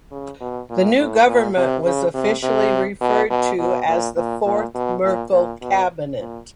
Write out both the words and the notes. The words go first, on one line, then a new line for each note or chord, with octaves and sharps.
The new government was officially referred to as the Fourth Merkel cabinet.
C#3
B2
A#2
A2
A#2
C3
C#3
C3
C3
B2
B2
B2
A#2
A#2
A#2
B2
A#2
A#2
B2
A#2